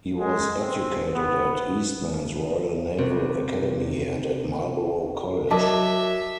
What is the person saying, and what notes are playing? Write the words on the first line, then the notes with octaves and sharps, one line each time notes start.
He was educated at Eastman's Royal Naval Academy and at Marlborough College.
G#3
C4
B3
C3 C4
F#3 F#4 A#4 D#5 E5 A5 D6